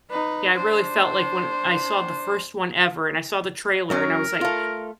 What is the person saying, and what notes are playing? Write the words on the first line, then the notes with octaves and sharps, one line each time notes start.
Yeah, I really felt like, when I saw the first one ever and I saw the trailer and I was like,
D#4 B4
D4 C5
F#2 F#3 C#4 A#4
A3 F4